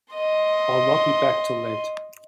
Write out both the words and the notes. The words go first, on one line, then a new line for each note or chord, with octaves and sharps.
I'll not be back till late.
D#5 C6